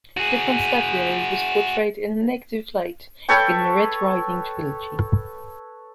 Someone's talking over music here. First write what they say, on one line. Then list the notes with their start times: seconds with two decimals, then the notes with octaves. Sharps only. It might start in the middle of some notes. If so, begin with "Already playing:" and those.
The Constabulary was portrayed in a negative light in the Red Riding trilogy.
0.17 F#4 G#4
3.28 A4 B4 C#5 G5